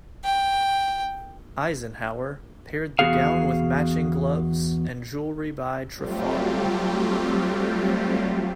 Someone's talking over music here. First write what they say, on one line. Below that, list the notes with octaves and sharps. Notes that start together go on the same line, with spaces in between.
Eisenhower paired the gown with matching gloves, and jewelry by Trifari.
G5
E2 B3 F#4 G#4 F5
F#3 G3 A3 C4 F4 G4